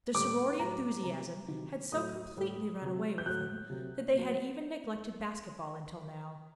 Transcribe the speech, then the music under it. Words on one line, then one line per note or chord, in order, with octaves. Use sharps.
Their sorority enthusiasm had so completely run away with them that they had even neglected basketball until now.
A2 G3 D6
A2 F#3 A#5
C3 G3 A#5
C3 D#3 F#3
A2 F#3 D#6
A2 G3
C3 F#3
G6
A2 F#3 F#6
C3 F#3
A#2 F#3